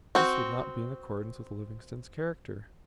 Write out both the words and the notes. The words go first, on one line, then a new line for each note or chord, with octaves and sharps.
This would not be in accordance with Livingstone's character.
C4 F#4